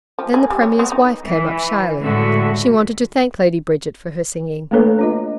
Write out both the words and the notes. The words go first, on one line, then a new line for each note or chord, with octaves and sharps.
Then the Premier's wife came up shyly; she wanted to thank Lady Bridget for her singing.
F3
G#4
G3
C#5
B3
D#4
E3
A2 D3 G#3 F#4 E5
A3 A#3 D4 A4 B4 C#5
D4 F4 D#5